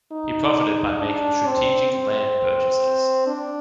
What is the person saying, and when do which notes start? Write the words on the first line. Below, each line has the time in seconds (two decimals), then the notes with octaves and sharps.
He profited by making strategic land purchases.
0.12 D#4
1.01 D4
1.47 C4
1.92 C4
3.27 D4